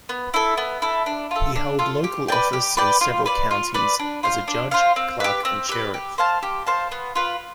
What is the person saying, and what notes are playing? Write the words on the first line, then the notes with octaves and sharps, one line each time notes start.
He held local office in several counties as a judge, clerk, and sheriff.
B3
E4 A4
B3
E4 A4
D4
F4 A4
D4
F4 A4
G4
B4 D5 G5
G4
B4 D5 G5
F4
B4 D5
F4
B4 D5
D4
F4 C5 F5
D4
F4 C5 F5
C4
G4 B4
C4
G4 B4
G4
C5 F5 A5
G4
C5 F5 A5
B3
F4 B4